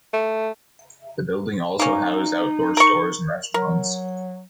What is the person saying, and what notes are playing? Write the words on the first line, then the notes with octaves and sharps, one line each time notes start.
The building also housed outdoor stores and restaurants.
A3
A#3 C#4 D#4
A#4 C#6
F#3 A#4